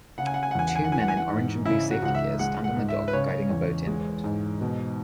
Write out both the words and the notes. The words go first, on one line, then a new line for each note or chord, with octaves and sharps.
Two men in orange and blue safety gear stand on the dock guiding a boat inward.
C#3 F#5
G#5
F#5
G#5
F#5
E2 G#5
F#5
G#5
F#5
E3 G#5
F#5
G#5
F#5
G#2
C#3 E4
F#4
C#2 F#5
E5
G#3 F#5
F#5
G#2
E5
B4
C#3 C#5
E2
G#3
G#2
B2